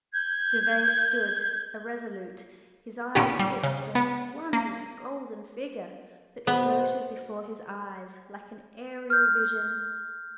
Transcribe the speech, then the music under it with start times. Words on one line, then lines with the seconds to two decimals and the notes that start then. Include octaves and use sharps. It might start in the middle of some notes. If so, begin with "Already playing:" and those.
Gervase stood irresolute, his eyes fixed on that wondrous golden figure that floated before his eyes like an aerial vision.
0.13 G6 G#6
3.15 A#2 D3 D#3 B3 C#4 G4
3.39 G3
3.63 C#3
3.95 B3
4.53 A#3
6.47 B2 B3 C5
9.10 F6 G6